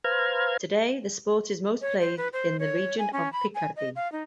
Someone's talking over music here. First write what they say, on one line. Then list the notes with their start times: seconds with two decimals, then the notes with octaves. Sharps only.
Today, the sport is most played in the region of Picardy.
0.04 B4 C5 F5 A#5 F6 G#6
1.81 C#5
2.01 C5
2.17 B4
2.33 C5
2.59 C#5
2.99 G#5
3.13 C#4
3.33 B5
3.55 G#5
3.76 D#5
3.96 F5
4.12 D#4